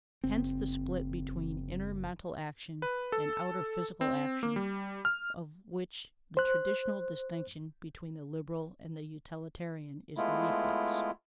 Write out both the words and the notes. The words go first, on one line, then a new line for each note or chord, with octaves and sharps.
Hence the split between inner mental action and outer physical action of which the traditional distinction between the liberal and the utilitarian is the reflex.
F#1 C4
B4
A4
C4
A#3
G3
F6
C5 F#6
G#3 A3 B3 E4 F4